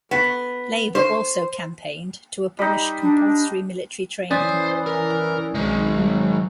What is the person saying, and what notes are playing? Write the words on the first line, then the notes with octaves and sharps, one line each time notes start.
Labour also campaigned to abolish compulsory military training.
B3
C5
G3 D#4
D4
E3 C#4 C5 D5 C6 D#6
A#4
B1 D#3 G#3
F#3